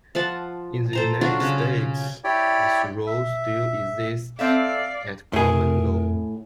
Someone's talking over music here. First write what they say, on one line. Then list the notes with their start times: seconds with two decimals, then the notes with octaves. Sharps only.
In the United States, this rule still exists at common law.
0.15 F3 F4 F#5 A5
0.93 A4 C5 A#5
1.21 F#3 D4 F4 F#4
1.40 C#3
2.24 E4 G4 C#5 D5 G5
3.07 E5
4.39 C4 A4 D5 E5 F5
5.33 F2 A2 G#4 A#4